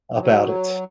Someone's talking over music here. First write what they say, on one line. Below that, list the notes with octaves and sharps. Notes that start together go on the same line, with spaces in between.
about it,
F#3